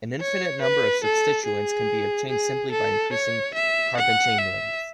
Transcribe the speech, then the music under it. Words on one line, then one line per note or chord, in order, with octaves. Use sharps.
An infinite number of substituents can be obtained simply by increasing carbon chain length.
C#5
B4
A4
G#4
G#4
A4
C#5
E5
F#5
E5